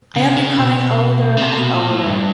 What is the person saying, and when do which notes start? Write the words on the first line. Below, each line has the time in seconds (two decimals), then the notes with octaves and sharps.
I am becoming older and older.
0.16 C#3
0.27 C3
0.37 C#3
0.58 B2
1.37 C#3
1.42 C3
1.58 B2
1.74 A#2
1.90 A2
2.06 G2